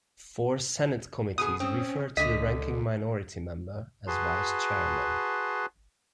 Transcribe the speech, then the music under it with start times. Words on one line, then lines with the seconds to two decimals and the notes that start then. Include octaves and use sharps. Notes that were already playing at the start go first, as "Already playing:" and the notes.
Four Senate committees refer to the ranking minority member as Vice Chairman.
1.38 B2 G#4 D#6
1.60 C4 C#4
2.17 C#2 D3 D#5 B6
4.07 F#4 G#4 B4 A5 C6